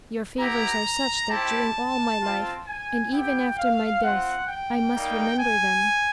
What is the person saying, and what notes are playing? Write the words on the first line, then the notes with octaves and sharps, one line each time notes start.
Your favours are such that during all my life, and even after my death, I must remember them.
B3 E4 G4 A#5
C4 E4 G4 A5
C4 F4
G#5
B3 E4 G4 G5
F5
C4 F4 F#5
G5
G3 A#3 D#4
G#5